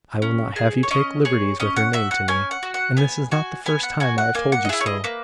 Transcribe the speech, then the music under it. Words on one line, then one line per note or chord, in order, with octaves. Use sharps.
I will not have you take liberties with her name to me; and this is not the first time I have told you so.
C#4
G#4
C#5
C#4 D#5
G#4 C#5
C#4 D#5
F#5
F#4 E5
F#5
C#4 G#5
F#5
F#4
F#5
B3 G#5
F#4 G#5
B3 G#5
F#5
F#4 G#5
F#5
A#3 G#5
F#5
D#5
E4 G#4 E5
C#5
D#5
A#3 B4